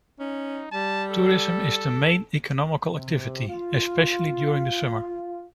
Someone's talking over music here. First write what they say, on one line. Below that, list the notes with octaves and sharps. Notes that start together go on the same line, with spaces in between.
Tourism is the main economical activity, especially during the summer.
C#4 D#4
G3 A5
A4
C3
F4